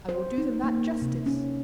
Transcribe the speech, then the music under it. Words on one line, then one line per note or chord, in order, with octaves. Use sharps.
I will do them that justice.
C5
D#4
A#3
C3
C#4